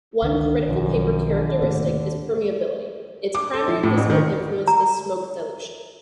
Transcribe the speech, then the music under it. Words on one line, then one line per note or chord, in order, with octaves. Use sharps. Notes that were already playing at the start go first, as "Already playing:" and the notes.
One critical paper characteristic is permeability; its primary physical influence is smoke dilution.
C#2 D3 D#3 D4
B1 F#2 F3
D3
D#2 A2 C3
D6
A4
F3
A2
A1
D#3
A#5